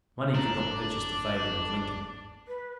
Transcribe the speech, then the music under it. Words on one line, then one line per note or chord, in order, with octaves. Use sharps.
Money could not purchase the favor of Lincoln.
G1 D4 A#5
D6
B4